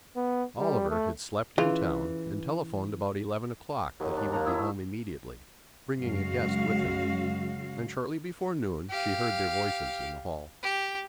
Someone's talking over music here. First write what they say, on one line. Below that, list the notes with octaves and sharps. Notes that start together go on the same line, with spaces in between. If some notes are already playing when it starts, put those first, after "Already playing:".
Oliver had slept in town and telephoned about eleven o'clock that he would be home immediately, bringing a guest with him: and shortly before noon she heard their voices in the hall.
B3
G3
A3
C#3 E3 F4
D#2 F#3
D4
A#3 D4 A#5
E4 D#6 E6
A3
F#2 C#3 G#3 F#4 F5
G4 F5
G4